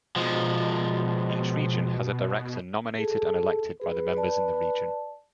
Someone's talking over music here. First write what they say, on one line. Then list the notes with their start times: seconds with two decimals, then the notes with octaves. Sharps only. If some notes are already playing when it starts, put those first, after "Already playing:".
Each Region has a Director nominated and elected by the members in the Region.
0.16 B2 F3 G#3
2.98 G#4 A4
3.82 G#4 B4
4.17 D5 A5